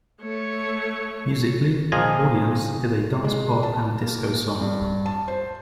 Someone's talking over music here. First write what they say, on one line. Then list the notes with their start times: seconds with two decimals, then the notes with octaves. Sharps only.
Musically, "Audience" is a dance-pop and disco song.
0.22 A3 C#5
1.92 A#2 F3 G#4 D#5 G#5 A#5
3.24 G#3
3.63 A5
4.01 A#3
4.61 G2
5.06 A5
5.28 C5